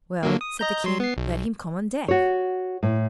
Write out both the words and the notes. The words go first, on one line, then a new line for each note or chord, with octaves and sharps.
"Well," said the King, "let him come on deck."
D3 F#3 A#3
D#6
D#5 A#5 G6
F#3 C6
B3 C7
B1
F#4 C#5
A2